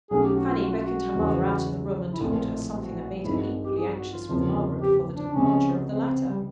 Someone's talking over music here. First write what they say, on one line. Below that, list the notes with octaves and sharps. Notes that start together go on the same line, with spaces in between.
Fanny beckoned her mother out of the room, and told her something that made her equally anxious with Margaret for the departure of the latter.
B1 B2 F#3 A3 C#4 G#4
G4
F#4
F4
F#4
F4
F#4
F#1 E2 C#3 E3 G#3
E4
A#1 A2 F3 A3 C4 F4
F#4
G2 D#3 G#3 C4 E4
F#4
G4
G#4
F#4
F4
F#1 E2 C3 F3 A#3 F4
G4
D4
C#2 C3 F3 G#3 B3 C#4
C4
G3